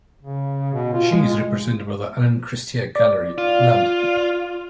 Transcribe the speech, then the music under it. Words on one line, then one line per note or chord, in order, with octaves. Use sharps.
She is represented by the Alan Cristea Gallery, London.
C#3
B2
F4
G#3
D5
F4